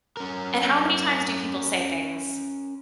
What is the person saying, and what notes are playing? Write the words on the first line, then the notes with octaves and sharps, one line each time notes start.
And how many times do people say things
C#4 A#4